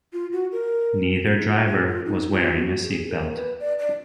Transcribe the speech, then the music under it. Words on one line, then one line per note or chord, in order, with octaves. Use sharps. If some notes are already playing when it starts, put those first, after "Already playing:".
Neither driver was wearing a seatbelt.
F4
F#4
A#4
F4
D#4
F4
G#4
F4
D#4
F4
F#4
G#4
A#4
B4
D5
D5